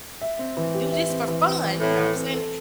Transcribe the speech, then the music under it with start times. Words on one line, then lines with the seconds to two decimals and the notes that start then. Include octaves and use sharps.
do this for fun, you know what I'm saying?
0.21 E5
0.39 C4
0.57 E3
0.74 G4
0.92 E5
1.10 C4
1.28 E3
1.46 C4
1.63 E3
1.80 A2 A4
1.99 E3
2.16 C4
2.34 A4